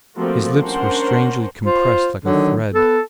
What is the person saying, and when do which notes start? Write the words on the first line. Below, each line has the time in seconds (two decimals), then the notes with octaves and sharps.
His lips were strangely compressed like a thread.
0.16 F3 G3 A3 A#3 C4 F#4
0.60 C#4 D4 A#4 C5 F#5
1.65 F4 C5
2.24 D3 D#3 F#3
2.73 B3 A4